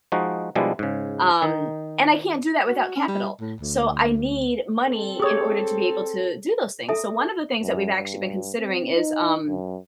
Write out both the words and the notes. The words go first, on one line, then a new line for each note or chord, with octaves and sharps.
um, and I can't do that without capital, so I need money in order to be able to do those things. So one of the things that we've actually been considering is, um
F3 G#3 D#4 F#4
B2 F3 G3 G#3 D4 E4
G#2 C#3
D#3 D#4
F#4
C#4
G3
A2
D2
C4 A4
G4 G#4 C#5 D#6
A4 E5 A#5
F#2
G2
C4
D#4
F#2